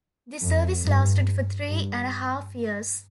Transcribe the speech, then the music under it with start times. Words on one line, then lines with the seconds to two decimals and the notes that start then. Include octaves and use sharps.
This service lasted for three and a half years.
0.42 F2
0.84 G2
1.69 G2